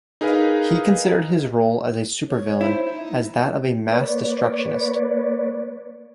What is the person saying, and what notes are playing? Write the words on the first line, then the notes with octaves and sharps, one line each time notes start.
He considered his role as a supervillain as that of a "mass-destructionist".
D#4 G#4 A#4 B4 F5
C#5
E4 C5
D#4
A#3 B4 C#5 D5